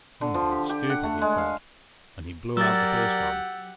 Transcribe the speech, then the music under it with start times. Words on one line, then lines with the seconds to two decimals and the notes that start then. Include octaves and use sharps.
"I'm going stupid," he thought, and he blew out the first one.
0.21 D3
0.34 F3
0.51 G4
0.70 G4
0.90 F#5
1.03 A3
1.21 G#3
1.38 F5
2.57 F#3 G4 A#4 D5 F#5 E6 A6